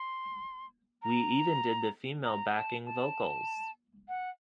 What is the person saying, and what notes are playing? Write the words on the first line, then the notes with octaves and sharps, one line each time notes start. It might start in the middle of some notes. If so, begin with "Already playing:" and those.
We even did the female backing vocals.
Already playing: C6
A#5
A#5
A5
A5
F#5